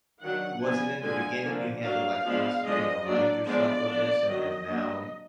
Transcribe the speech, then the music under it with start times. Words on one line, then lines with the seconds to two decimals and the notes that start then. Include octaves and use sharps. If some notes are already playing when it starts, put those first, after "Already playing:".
was it in the beginning you had to, like, constantly remind yourself of this, and then now,
0.21 D#3 F#3 D4 F#5
0.62 F3 B3 D4 G#5
1.02 D3 F3 G#3 D4 G#5
1.43 D3 F3 A#3 D4
1.83 F#3 A#3 D4 F5
2.24 F3 G#3 B3 D4
2.64 D3 F3 G#3 D4 D#5
3.05 F#3 A#3 D4 D5
3.45 F3 G#3 B3 D4 D5
3.86 F3 B3 D4
4.27 D#3 F#3 D4 D#5
4.68 F#3 A#3 D4